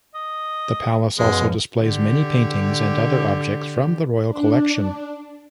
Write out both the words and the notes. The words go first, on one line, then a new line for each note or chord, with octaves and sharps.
The palace also displays many paintings and other objects from the Royal Collection.
D#5
F#2 B2 F3 G#3
D3 G4
D4